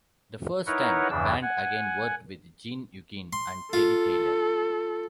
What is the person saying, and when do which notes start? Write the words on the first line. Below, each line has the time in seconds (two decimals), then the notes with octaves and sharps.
The first time, the band again worked with Gene Eugene and Terry Taylor.
0.67 D#4 E4 A#4 B4 C#5 F#5
1.10 E2 G2 C#3 E3 D4 E6
1.42 F#5 G#5
3.33 C6
3.73 F4 A4